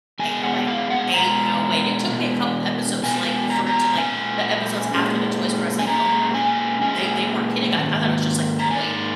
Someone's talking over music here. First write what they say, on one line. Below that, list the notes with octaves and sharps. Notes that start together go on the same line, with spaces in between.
"Ain't no way, ain't no way," and it took me a couple episodes to, like for it to, like the episodes after the twist where I was like, "Oh my, they they weren't kidding," I I thought it was just like a ploy.
B2 G#3 B3 G#5
F#5
F5
F#5
B2 G#3 B3 A#5
B2 G#3 B3
B2 G#3 B3 G#5
A#5
A#5
A#2 G#3 C#4 G#5
A#2 G#3 C#4
G#5
A#2 G#3 C#4 A#5
G#5
A#2 G#3 C#4 G#5
G#2 D#3 A#3
A#5
G#2 D#3 A#3 G#5